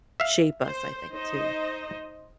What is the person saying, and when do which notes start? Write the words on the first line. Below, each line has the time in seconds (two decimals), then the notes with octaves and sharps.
shape us, I think, too.
0.20 E5 F5
0.64 C5
1.12 D#4 C5 D#5